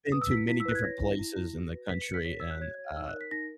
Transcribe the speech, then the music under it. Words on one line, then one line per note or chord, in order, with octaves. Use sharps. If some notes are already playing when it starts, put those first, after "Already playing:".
been to many different places in the country and, uh,
B4 D#6
E6
E4 B6
E4 B6
E6
B4 F#6
G#6
C#5 A#6
E4
E4
E4
F#4
B4
B4 B6
C#7
B4
B6
C#5 B6
F#4 E6
F#6
C#5 G#6
C#5
D#4 E6
F#6
A#4
B6
D#4 A#6